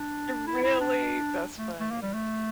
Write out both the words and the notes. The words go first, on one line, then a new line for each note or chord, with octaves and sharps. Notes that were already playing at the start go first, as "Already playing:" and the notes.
Really? That's funny.
Already playing: D4
E4
E4
D4
A3
A3
A#3
G3
A3